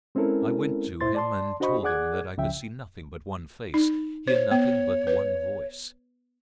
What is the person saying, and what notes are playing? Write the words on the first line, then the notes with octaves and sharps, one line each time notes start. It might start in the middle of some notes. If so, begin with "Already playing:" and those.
I went to him and told him that I could see nothing but one face, hear nothing but one voice.
G#3 C4 C#4 E4 A4 A#4
A#2 E4 C5 C6 A6
D5 A5 C6
D4 F#4 C5 D#5 B5 C#6
G#4 D5 F#5 D6 F#6 G#6
C#2 C#3 F3 E5 G5
D#4
C5 C#5
B3
B4